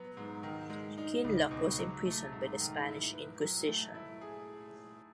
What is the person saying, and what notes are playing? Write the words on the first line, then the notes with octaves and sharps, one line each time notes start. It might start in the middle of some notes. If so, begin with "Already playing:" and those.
Kinloch was imprisoned by the Spanish Inquisition.
Already playing: F#3 B3
G#2
D#3
G#3
D#4
C#2
B2
F#3
A3
G#2
D#3
E4
B4
F#3
A3
E4
G#4